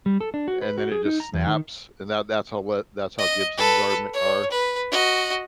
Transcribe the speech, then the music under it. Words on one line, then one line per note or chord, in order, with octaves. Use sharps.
and then it just snaps, and tha that's how tha that's how Gibson's are mea are
G3
A4
D4
F#4
B4
F#4
G#4
D#4
A#5
E2
D#3
D#5
A4 B4
C#5
B4
F#4 D#5